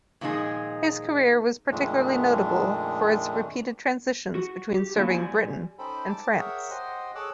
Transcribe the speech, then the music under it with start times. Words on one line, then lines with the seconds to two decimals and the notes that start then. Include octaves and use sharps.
His career was particularly notable for its repeated transitions between serving Britain and France.
0.21 A#2 D#3 F3 G#3 D#4 G#4
1.71 F2 A#2 D#3 G#3 A3 D4
4.35 F#4
4.75 G4
4.96 A3 A#3 C#4 E4 F#4
5.10 F#3 G4 D5 G#5
5.79 C#4 D#4 A4 C5 G5 B5
6.09 A5 D6
6.36 G#4 A#4 C#5 E5 F#5 G5
6.70 G4 C5 D#5 F#5 G5 C6
7.15 G#4 A4 C#5 D6 E6 F#6